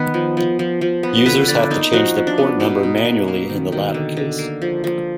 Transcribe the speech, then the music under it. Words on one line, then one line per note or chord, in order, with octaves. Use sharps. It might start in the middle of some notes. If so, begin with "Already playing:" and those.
Users have to change the port number manually in the latter case.
Already playing: D#3 B3 B4
F3
F3
F3
F3
B3
D3 B4
D3 D5
A#3 D#4
F3 F#4
F3
D4
B3
B2 D#4
B2
A#3
A#3
D#3
D#3
D3
D3
A#3
F3
F3